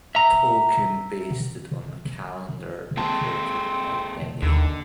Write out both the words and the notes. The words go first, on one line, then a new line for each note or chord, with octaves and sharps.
Tolkien based it on the calendar reported by Bede.
E5 A#5
A#3 C4 G#4 A4 A5
D#2 D3